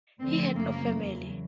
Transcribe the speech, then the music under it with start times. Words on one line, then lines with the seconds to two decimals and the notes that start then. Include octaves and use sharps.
He had no family.
0.19 D2 D3 F3 C4
0.55 F#2 C#3 F#3 A#3
0.90 E2 C#3 F#3